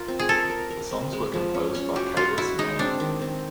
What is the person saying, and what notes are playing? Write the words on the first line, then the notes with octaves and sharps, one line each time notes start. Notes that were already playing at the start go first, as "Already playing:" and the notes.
The songs were composed by Kailas Menon.
Already playing: F4 A#4
C4
G#4
A4 A#4
A#4
A#4
C4
G#3
F3
C#4
C#4
F#4 G4
F4 F#4
E4 F#4
G#3 D#4
C4 D4
D#3
C4